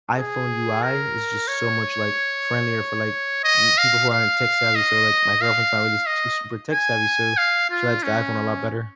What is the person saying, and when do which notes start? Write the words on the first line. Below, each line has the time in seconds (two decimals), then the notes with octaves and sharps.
iPhone UI is just so much, like, friendlier for, like, n people who aren't tech-savvy, so, like, my girlfriend's not really too super tech-savvy, so she likes the iPhone a lot better.
0.17 G#4
0.83 A#4
1.48 C#5
3.44 D#5
3.78 F5
4.10 F5
4.75 D#5
5.41 F5
6.07 D#5
6.73 G#5
7.38 F5
7.71 F4
8.04 C#4